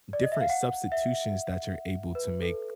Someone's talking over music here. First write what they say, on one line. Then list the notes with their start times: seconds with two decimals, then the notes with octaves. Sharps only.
different substitutions that you're able to make
0.13 D5
0.23 D#5
0.32 E5
0.41 F5
0.50 F#5
0.92 E5
2.15 B4
2.42 A4